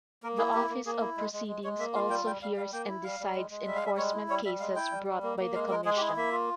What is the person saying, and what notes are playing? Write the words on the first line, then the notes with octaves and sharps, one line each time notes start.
The Office of Proceedings also hears and decides enforcement cases brought by the Commission.
A#3 A#4
E4 G#4
A#3 G4
A#3
A#3 G#4
E4
G#3
G#3
G#3
G#3 C#5
A#3 E5
F4 F5
G3 G5
G3 G5
G3 F5
G3 F5
A#3 G5
E4
G3 F5
G3
G#3
G#3
G3 E5
F5
G3 E5
G#3 C#5
E4
G3 C#5
G3 E5
G#3 F5
E4 G5
G3
G3
A#3
A#3
G#3 F5
G#3 A#4
G#3 G#4
G4
E4
G#4
A#3 E5
F4